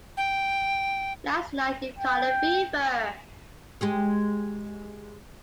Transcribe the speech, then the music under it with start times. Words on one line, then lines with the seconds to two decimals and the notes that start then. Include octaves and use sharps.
Last night you caught a fever.
0.17 G5
1.99 G5
3.81 G#3 G4 G#4